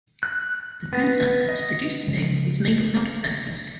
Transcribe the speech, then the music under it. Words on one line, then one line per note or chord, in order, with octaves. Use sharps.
The transite that is produced today is made without asbestos.
F#6
B3
D#5
C#3 F3 G#3